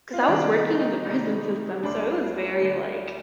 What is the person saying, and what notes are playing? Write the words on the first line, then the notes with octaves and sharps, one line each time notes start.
'cause I was working in the prison system, so it was very, like,
F4
D#4
C2 C3 D#3 G3 D4
D#4
D#4
C2 C3 D#3 G3 D#4
D2 D3 G3 D4
D2 D3 G3